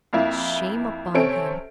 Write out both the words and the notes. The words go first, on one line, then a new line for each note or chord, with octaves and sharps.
Shame upon him!
F2 A#3 E4
C3 C4 C#4 A4 C#5 D7